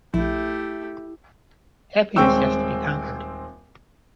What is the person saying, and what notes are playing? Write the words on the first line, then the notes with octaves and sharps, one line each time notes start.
Happiness has to be conquered.
A#1 A3 E4 G4
D#1 G#3 C4 G5 C#6 E6